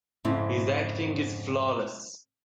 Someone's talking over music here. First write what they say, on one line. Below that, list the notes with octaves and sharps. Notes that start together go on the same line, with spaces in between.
His acting is flawless.
F2 G#2 C#3 C4 E4